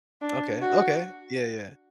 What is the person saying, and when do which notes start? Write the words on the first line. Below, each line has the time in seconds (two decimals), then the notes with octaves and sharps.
Okay, okay. Yeah, yeah.
0.21 D4
0.62 F#4